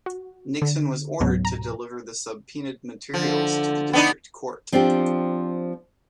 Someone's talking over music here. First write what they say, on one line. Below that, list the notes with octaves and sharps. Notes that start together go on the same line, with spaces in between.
Nixon was ordered to deliver the subpoenaed materials to the District Court.
F#4
D3
C#2 G#2 B2 F#3
A#5
D3 F3
B3 D4 D#4
F3 C4 D4 F4 G4